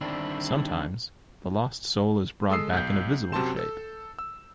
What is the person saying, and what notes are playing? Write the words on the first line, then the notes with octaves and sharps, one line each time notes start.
Sometimes the lost soul is brought back in a visible shape.
D3 D#3 G3 C4 D4 E4
G#3 A4 D#6 E6 C7
B1 G6
F#2 C3 F#4 A5 C6 E7
A4 E6
E6